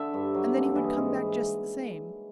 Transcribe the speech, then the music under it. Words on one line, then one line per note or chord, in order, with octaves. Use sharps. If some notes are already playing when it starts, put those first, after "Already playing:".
"And then he would come back just the same."
Already playing: D3 E5
G2
F#3
A#2
E3 D#5
G#2